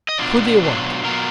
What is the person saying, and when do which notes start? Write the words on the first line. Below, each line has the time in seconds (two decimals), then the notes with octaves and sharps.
"Who do you want?"
0.09 D#5
0.18 B2 F#3 D4 F4 D5
0.62 B2 F#3 D4 F4
1.04 B2 F#3 B3 F4 A#4